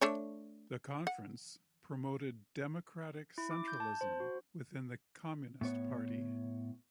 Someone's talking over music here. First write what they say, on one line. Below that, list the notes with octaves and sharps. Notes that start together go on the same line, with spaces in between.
The conference promoted "democratic centralism" within the Communist Party.
A3 D4 C#5
F#5
E4
D6
G6
A5
C5
F#4
A2 B3 C#5